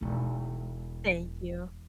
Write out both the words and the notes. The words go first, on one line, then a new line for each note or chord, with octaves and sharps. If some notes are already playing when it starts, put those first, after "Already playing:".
Thank you.
E1 D#4